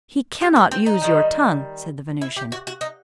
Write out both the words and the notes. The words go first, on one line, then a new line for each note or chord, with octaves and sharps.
"He cannot use your tongue," said the Venusian.
G4
B4
C4
D#4
D#3 G3
E4
G4
F#4
F#4
D#4